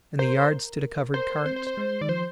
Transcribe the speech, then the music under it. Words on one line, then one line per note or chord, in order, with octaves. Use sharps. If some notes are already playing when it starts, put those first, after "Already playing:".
In the yard stood a covered cart.
A#4 C5
A#4 C5
A#4
C4 C5
C5
C5
G#3
D#3 D5
F3 C5